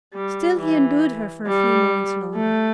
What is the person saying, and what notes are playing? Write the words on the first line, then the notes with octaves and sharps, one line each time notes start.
Still he endured her for a few moments longer.
G3
E3
G3
A3